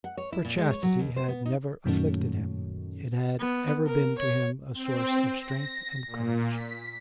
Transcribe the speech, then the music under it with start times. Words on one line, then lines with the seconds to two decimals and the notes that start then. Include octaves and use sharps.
For chastity had never afflicted him; it had ever been to him a source of strength and courage.
0.04 F#5
0.17 C#5
0.33 E4
0.45 A#2
0.58 G#3
0.71 C#5
0.83 F#3
0.99 D#2
1.16 C5
1.28 B3
1.46 D#4
1.85 F#2 A#2 D#3 F#3 A3 C#4
3.39 B3
3.87 A#4
4.18 C#5
4.74 C4
5.36 A#6
6.07 A#2
6.50 B6